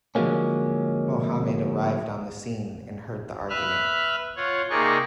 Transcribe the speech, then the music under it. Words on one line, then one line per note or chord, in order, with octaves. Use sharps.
Muhammad arrived on the scene and heard the argument.
D3 F3 F#3 G#3 A#3 C#4
B4 E5 F6 F#6
F4 C#5 F#5
C3 A#3 D#4 G#4 D5 C#6